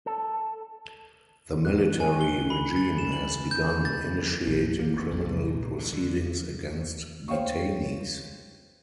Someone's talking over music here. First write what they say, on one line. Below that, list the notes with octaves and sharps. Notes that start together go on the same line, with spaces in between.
The military regime has begun initiating criminal proceedings against detainees.
A4
F#6
G#5
G7
B5
A6
E7
F#7
G6
A6
A#1
A#3
B3
A1
C2
A#2
D3
D3
C5 C#5 F5 G5 C#6